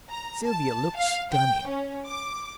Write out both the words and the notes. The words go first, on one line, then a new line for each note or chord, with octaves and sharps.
Sylvia looked stunning.
A#5
A5
F5
G5
C#4
D6